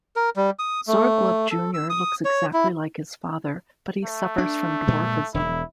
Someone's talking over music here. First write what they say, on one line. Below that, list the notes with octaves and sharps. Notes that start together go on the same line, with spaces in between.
Zorglub junior looks exactly like his father, but he suffers from dwarfism.
A#4
G3
D#6
A3
A4
E6
D#6
C#5
E4
A3
D4
G2 A#2 G#3
E1 E4